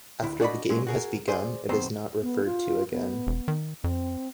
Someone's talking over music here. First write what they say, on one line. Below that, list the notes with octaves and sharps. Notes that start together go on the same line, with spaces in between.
After the game has begun, it is not referred to again.
D2 E4
D4 F#4 D5 D#5 B5
A#2 F#3 G#3 C#4
F#4 G#4 A#4
G#4 C5 D5 G#5 C6
F#2 B2 D#3 C4 C5 A#5
B3
F4
B3
E1
D#3
F2 C4